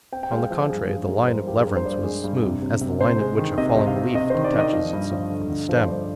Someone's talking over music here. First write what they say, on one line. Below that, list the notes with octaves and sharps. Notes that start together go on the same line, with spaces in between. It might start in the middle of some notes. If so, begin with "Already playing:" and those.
On the contrary, the line of leverance was smooth as the line at which a falling leaf detaches itself from the stem...
C4 G5
G5
G#3 F5
F3 F5
G2 G#4
F3 G#4
G#3 A#4
A#4
G2 C5
F3 G4
G#4
G2 A#4
C5
G2 D5
G#3
G2
C3
C3
C3
C3 C5
G#3
D#3
C3 D#5
C3
F5
C3
C3 D#5
D#3 C5
D5
D#3 D#5
F3
G2
F3
D3
D3
F3
C5
G2 D5